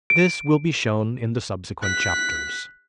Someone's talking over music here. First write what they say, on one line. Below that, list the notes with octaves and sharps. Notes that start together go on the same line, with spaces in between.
This will be shown in the subsequent chapters.
D7
F#6 B6